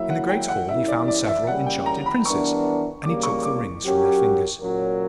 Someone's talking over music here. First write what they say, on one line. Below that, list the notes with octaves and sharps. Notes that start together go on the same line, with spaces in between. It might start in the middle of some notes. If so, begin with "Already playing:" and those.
In the great hall he found several enchanted Princes, and he took the rings from their fingers.
Already playing: F#3 A#3 E4 E5
F#5
G5
F#5
G3 C#4 E4 A#4 E5
D5
D5
E5
C#3 G3 A#3 C#4 F#5
G5
A#5
B5
E3 G3 B3 D4 A#4 C#6
C#3 G3 A#3 D6
C#6
D6
F#3 C#4 G4 A#4
A#2 F#3 C#4 F#4 A#4